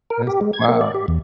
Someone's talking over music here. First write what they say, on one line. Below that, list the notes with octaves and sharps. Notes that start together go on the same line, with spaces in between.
That's wild.
A#4
G4
G#3
G#6
A#3
D5
G4
E2